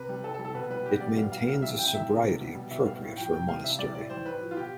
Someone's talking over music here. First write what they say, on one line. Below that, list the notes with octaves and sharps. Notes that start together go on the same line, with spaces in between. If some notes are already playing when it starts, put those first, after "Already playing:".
It maintains a sobriety appropriate for a monastery.
Already playing: C3 B4
G3
C3 A4
A4
G3
A4
B2 B4
G3 B4
B2 G4
G3 D5
B2 F5
G3 F5
C3 F5
E3 G3 E5
C3 G5
E3 G3 E5
C3
E3 G3
B2
G3
B2 E5
G3 F5
A2
F3 G5
C3 G5
E3 G3 F5
C3 E5
E3 G3 D5
A2 D5
E3 G3 C5
A2 B4
F3
F4
B2 G4